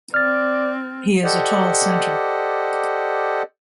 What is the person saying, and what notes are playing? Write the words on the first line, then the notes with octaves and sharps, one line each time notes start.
He is a tall center.
C4 D5 F6 A6
G4 A4 C5 D5 D#5 F#5